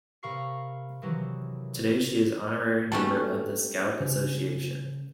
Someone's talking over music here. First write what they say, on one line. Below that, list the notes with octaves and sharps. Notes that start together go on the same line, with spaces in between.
Today she is Honorary member of the Scout association.
C3 A#4 F5 B5 C#6 C7
C3 D#3 E3 F#3
G3 A3 A#3 C#4 D#4 F#4 A5
C#3